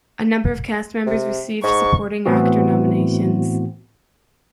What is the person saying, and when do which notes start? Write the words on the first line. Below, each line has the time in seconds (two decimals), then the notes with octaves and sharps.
A number of cast members received supporting actor nominations.
1.06 C3
1.63 G#2 C#6
2.26 A2 E3 B3 C4 F#4